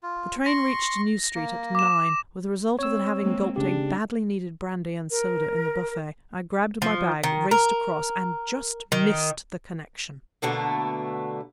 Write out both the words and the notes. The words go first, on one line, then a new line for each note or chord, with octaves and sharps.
The train reached New Street at nine, with the result that having gulped a badly needed brandy and soda in the buffet, I grabbed my bag, raced across--and just missed the connection!
F4
C6 C#6 A#6
A#3
D6 E7
C4 C#5 E6
G#3 A#3 C4
C#3 D4 G4
A#4
F3
D#3
A#4
D#3
B2 D3 A3 A#3